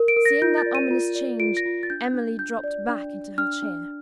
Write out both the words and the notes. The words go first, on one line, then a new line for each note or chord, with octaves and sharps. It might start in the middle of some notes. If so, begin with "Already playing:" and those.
Seeing that ominous change, Emily dropped back into her chair.
Already playing: A#4
D7
A#4
A#6
F4 G6
A6
D5
D#7
F4
D5
F4 D7
A#6
F4
A6
D4 G6
D4
D4 G6
D5
D4
D4
D4 F6
D4